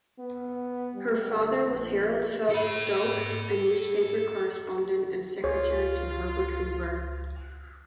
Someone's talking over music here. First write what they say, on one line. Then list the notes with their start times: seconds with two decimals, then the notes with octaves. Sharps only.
Her father was Harold Phelps Stokes, a newspaper correspondent and secretary to Herbert Hoover.
0.19 B3
0.95 G3
1.33 G1
1.69 A#1
2.50 A4 B5
5.44 C#2 F4 G#4 C#5